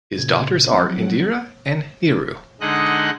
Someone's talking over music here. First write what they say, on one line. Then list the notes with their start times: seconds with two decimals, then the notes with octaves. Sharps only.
His daughters are Indira and Niru.
0.18 A#2 C#3 G#6
0.71 F3 F#3 C4 F#5
2.61 D3 G#3 D#4 D#5 F#5 F#6